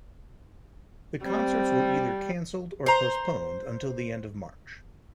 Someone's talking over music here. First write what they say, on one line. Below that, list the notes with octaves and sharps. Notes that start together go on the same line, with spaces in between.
The concerts were either canceled or postponed until the end of March.
G3 C4
C5 A#5